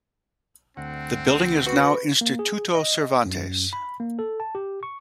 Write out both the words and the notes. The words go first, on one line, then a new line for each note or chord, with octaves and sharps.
The building is now the Instituto Cervantes.
D2 C4 F#5
F#4 B4
A#3
G#4
D#5
F#2
B5
A#3
A4
A5
G4
C#6